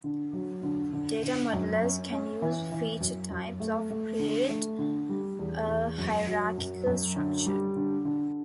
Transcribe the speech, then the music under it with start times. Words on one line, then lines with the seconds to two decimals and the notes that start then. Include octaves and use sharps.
Data modelers can use "feature types" to create a hierarchical structure.
0.04 D3
0.33 F#3
0.63 D3
0.93 D3
1.23 D3
1.53 F#2
1.83 C#4
2.12 C#4
2.42 E3
2.72 E3
3.00 F#2
3.30 F#2
3.60 A3
3.90 A3
4.19 D3
4.49 A3
4.79 D3
5.09 G3
5.39 E2
5.68 E2
5.98 F#2
6.27 F#3
6.58 F#2
6.86 F#2
7.16 D3
7.46 G3
7.76 D3
8.05 D3